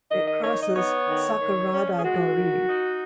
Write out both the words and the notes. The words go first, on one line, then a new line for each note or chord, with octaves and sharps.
It crosses Sakurada Dori.
D#3 D#5
D#5
D#4 C#5
D#5
B3 C#5
D#3
D#3
C#4
G#4
G#3 F#4
D#3
D#4